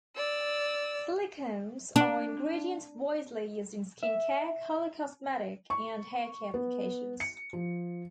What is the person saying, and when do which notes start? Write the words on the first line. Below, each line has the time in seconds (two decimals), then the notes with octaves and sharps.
Silicones are ingredients widely used in skin care, color cosmetic and hair care applications.
0.16 D5 E6
1.96 D4
4.03 E5
5.70 C#6
6.54 B3
7.20 C#7
7.53 F3